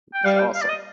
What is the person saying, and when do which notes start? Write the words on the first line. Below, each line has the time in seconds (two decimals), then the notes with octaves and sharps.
It's awesome.
0.14 G5
0.25 G3 F5
0.36 F5
0.39 G5
0.55 F5
0.61 D5
0.69 D#5